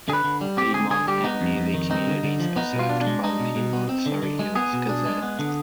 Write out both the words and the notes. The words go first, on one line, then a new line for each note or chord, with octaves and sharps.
Piedmont and nearby communities are served by the "Piedmont-Surrey Hills Gazette".
D3 G#4
B4
D3
G3
C4 G4
D3 G#4
D3 G#4
G3 G4
B3 D#4
F2
F2
D#3
C4 D#4
D3
D3
F3
B3 D#4
B2
F4
D4
D4
G#3
D4 D#4
B2
B2
B3
C4
D3
D3
G#3
B3 G#4
B2
D4
G#3
B3
D3